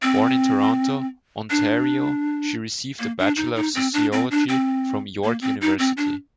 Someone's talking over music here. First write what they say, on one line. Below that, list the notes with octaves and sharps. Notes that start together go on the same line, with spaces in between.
Born in Toronto, Ontario, she received a Bachelor of Sociology from York University.
C4
D4
A#3
D4
D#4
D#4
C4
D4
C4
D4
C4
A#3
C4
D#4
C4
D4